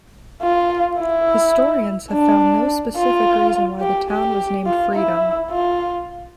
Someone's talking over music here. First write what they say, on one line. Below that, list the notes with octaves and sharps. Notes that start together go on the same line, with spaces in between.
Historians have found no specific reason why the town was named Freedom.
F4
E4
D4
F4
G4
G4
F4
E4
F4